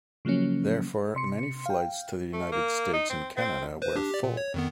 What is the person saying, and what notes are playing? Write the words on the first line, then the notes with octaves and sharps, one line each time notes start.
Therefore, many flights to the United States and Canada were full.
C#3 F3 F#3 A#3 C#4
C3 C6 C#7
F5 G5
A3
A#3
D#4
C4
C4
B4 C5
D4 G4
G4 D5
A#2
C#5
F2 D#3 B3